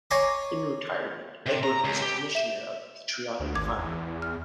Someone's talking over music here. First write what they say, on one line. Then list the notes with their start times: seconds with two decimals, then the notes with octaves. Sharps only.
In retirement Edward was a commissioner of the Patriotic Fund.
0.11 C#5 G#5 A#5 C6 D6
1.46 C3
1.63 A#5
1.84 C#2
2.02 G4
2.35 E5 E7
3.10 D7
3.40 D2
3.55 G#1 D6 G#6
3.78 E2
4.22 F6